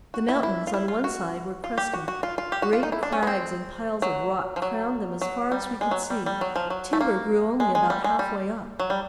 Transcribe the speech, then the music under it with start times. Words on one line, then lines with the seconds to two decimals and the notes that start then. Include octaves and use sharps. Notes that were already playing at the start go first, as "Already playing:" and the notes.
The mountains on one side were crested; great crags and piles of rock crowned them as far as we could see; timber grew only about halfway up.
0.14 F#4
0.29 E4
0.43 E4
0.67 F4
0.74 E4
0.88 F4
1.04 F#4
1.64 F4
1.78 G4
1.93 F#4
2.08 F#4
2.23 F4
2.38 F4
2.52 G4
2.62 F#4
2.73 F4
2.83 D#4
2.92 E4
3.03 D4
3.12 C#4
3.23 B3
3.27 C4
4.02 F#3
4.56 F3
4.62 F#3
5.21 F#3
5.52 G3
5.81 G#3
5.91 F#3
6.10 G3
6.26 G3
6.41 F#3
6.56 F3
6.70 F#3
6.93 A3
7.01 A#3
7.60 G#3
7.75 G#3
7.90 G3
8.04 G#3
8.19 G3
8.80 F#3
8.90 G3